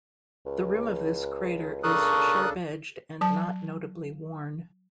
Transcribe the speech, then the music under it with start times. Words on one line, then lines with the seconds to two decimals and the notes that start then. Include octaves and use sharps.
The rim of this crater is sharp-edged and not notably worn.
0.46 C#2
1.83 C#3 D4 A4 A#4 C#6 D#6 F#6
3.21 F#3 A5